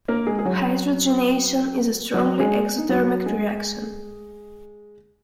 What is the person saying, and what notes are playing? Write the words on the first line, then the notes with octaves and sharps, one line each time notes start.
Hydrogenation is a strongly exothermic reaction.
A#3 A#4
G#3 G#4
G#4
F#3 F#4
F#3 F#4
G#3 G#4
D#4
F#3 F#4
G#3 G#4